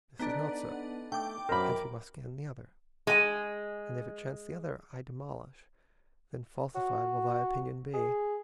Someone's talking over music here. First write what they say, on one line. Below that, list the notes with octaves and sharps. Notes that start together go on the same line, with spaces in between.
This is not so; hence we must scan the other, And if it chance the other I demolish, Then falsified will thy opinion be.
B3 D4 D#4 A4 D5
A3 G5 D6
F#2 A#4 C5 B5
G#3 G#5
F#4
G#4